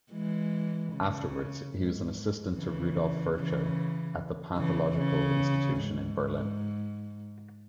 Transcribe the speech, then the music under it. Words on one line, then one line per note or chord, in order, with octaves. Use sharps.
Afterwards, he was an assistant to Rudolf Virchow at the Pathological Institute in Berlin.
E3 G#3
C#3
G#2
C#3 E3
C#3 E3
C#3 E3
C#3
G#2